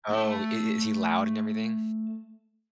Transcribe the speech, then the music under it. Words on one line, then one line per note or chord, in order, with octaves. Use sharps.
Oh, i is he loud and everything?
A3 A5